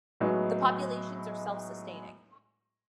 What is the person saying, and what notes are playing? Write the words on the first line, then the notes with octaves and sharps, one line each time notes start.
The populations are self-sustaining.
A2 F#3 G#3 B3 D#4